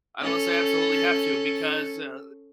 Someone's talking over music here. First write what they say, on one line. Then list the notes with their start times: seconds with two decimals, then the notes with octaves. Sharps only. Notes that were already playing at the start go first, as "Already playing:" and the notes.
unless I absolutely have to, because, uh
0.21 C#4 A4